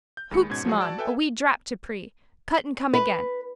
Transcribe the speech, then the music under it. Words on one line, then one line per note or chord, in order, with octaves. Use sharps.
Hoots, mon, a wee drap to pree. Cut and come again.
G6
D#2 G#3 B5 C#7
G#2 B2 C#4 G#6
F3 F#3 G#3 F#4 G#4
F#4 D5 A5 E6
A4 B4 E5 G5 G#5
B4